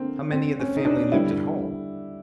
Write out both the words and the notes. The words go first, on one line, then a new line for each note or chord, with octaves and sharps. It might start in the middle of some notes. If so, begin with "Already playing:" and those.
"How many of the family lived at home?"
Already playing: D3 A#3 C4
C4
C#4
D#4
D4
D3 G3 B3 E4